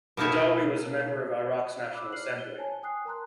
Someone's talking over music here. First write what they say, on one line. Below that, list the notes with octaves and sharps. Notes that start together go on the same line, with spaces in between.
Khadawi was a member of Iraq's National Assembly.
B2 A#3 D#4 E4 C#5
B5 D6 E6 F#6
E4 D5 F6 F#6 C7 F#7
F#6 G7
C5 C#5 G#5 A5
G5 G#5 D#6 F#6 C7
A#4 A5 A#5 C6 F#6